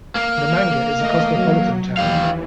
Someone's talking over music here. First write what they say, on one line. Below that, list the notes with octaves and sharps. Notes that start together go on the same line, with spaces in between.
Namanga is a cosmopolitan town.
A#3
A3 D#5
F#3
D#2 E3 G4 F5